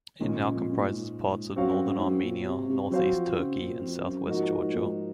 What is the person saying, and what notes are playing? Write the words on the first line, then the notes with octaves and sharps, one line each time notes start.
It now comprises parts of northern Armenia, northeast Turkey, and southwest Georgia.
A#2 D#3 G#3 C#4
C#3
F2
F#2
A#2
G#2
F#2 C4 F#4 C#5 F5
F#2
G#2
F#2
A#2
C3
C3
F#3 C4 F#4 C5 F5
F3
C#3
A#2
F2
F#2
G#2 F3 A#3 D#4 F#4
G#2
A#2
G#2